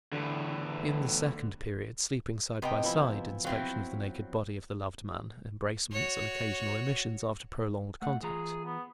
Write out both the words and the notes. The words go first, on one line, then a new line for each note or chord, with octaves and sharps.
In the second period sleeping side by side, inspection of the naked body of the loved man, embracements, and occasional emissions after prolonged contact.
E2 A2 D3
C3 B3 D#5 G5
E3 F3 E4
F#3 C4 E4 F5
F#4 C#5
A3 F#5
E3 F4 G#4 A#5
B3